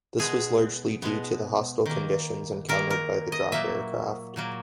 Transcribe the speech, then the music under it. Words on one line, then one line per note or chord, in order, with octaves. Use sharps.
This was largely due to the hostile conditions encountered by the drop aircraft.
B2 G#3 B3 G#4
B2 G#3 B3
D#3 A#3
D#3 A#3 A#4
A#4
D#5
A#2 F#3 A#3 E5
A#2 F#3 A#3